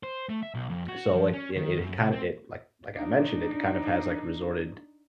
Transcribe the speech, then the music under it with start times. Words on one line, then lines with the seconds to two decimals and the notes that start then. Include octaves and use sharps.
so, like, it it kind it, like like, I mentioned, it kind of has, like, resorted
0.03 C5
0.29 A3
0.43 E5
0.55 B1
0.70 F2
0.88 F#4
1.15 F3
1.33 C#4
1.57 D#3
1.79 F#2
1.99 C3
2.13 C4
2.94 D4 D#4